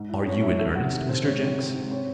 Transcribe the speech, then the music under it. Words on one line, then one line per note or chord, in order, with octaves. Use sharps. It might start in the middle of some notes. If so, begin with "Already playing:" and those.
"Are you in earnest, Mr. Jenks?"
Already playing: G#2
E4
C4 C#5
E4 E5
A3 E5
C3 F#5
D#3
C3 C5
G#2 C#5
C4
C4
G#2
C4 C#5